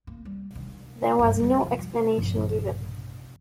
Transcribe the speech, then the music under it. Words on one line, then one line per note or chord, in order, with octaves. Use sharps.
There was no explanation given.
A#3
G3
D#3
G2 F4
F2 G3
D#3 F3
A#1 G2 C#3 F3